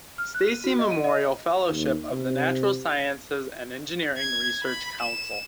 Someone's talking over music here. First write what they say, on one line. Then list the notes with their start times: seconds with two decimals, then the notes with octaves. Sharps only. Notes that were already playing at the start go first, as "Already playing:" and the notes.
Steacie Memorial Fellowship of the Natural Sciences and Engineering Research Council.
0.18 F6
0.35 F#6
0.48 D#7
0.64 F#4
0.79 D#5
0.91 D#7
1.04 D#5
1.73 D#2
2.11 C3
4.17 G#6
4.64 B5
5.01 E7